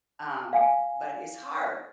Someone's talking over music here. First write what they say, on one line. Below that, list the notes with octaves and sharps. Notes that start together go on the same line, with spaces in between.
um, but it's hard,
F5 G#5